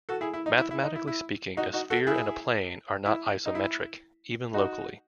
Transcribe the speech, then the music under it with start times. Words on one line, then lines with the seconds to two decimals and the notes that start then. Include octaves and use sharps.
Mathematically speaking, a sphere and a plane are not isometric, even locally.
0.09 F#4 A4
0.21 E4 G#4
0.34 E4
0.46 D#4
0.58 E4
0.71 E4
0.83 D#4
0.95 E4
1.07 E4
1.57 D#4 F#4
1.73 D#4 F#4
1.90 F#4 A4
2.07 E4 G#4
3.06 E4
3.46 D#4
3.55 E4
4.54 D#4 F#4